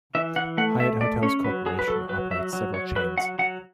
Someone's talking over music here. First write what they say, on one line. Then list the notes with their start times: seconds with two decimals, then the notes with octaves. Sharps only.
Hyatt Hotels Corporation operates several chains.
0.15 E3 E5
0.36 E3 F#5
0.58 A3 F#5
0.79 A3 E5
1.01 A3 D5
1.23 C#4 C#5
1.44 F#3 B4
1.66 F#3 G#4
1.79 B4
1.87 F#3 A4
2.09 F#3 B4
2.31 F#3 E5
2.53 F#3
2.74 F#3 C#5
2.96 F#3 B4
3.18 F#3 F#5
3.39 F#3 F#5